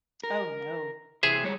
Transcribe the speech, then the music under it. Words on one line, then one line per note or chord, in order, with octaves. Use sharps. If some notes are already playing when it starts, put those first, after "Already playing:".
Oh, no.
A#4
C3 E3 G#4 C5 E5
G3 G#3 C#5